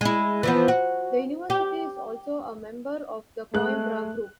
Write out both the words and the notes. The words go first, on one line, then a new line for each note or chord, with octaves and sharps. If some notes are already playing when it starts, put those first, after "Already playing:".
The university is also a member of the Coimbra Group.
G#3 E4
E3 F3 B3
F#4
G4
G#3 A3 F#6